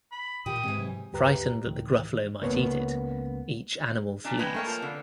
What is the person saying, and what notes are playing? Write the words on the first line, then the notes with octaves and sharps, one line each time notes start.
Frightened that the gruffalo might eat it, each animal flees.
B5
A#2 D#3 G4 D#6
G#2 E3 C4
C3 F#3
D2 G2 G4 B4 A#5 F#6
C#2 A2 D#3 E3
C#2 A#3 B3 C#5
A#2 D4
G#3 B4 G5
A3 A#3 C#5
F3
D3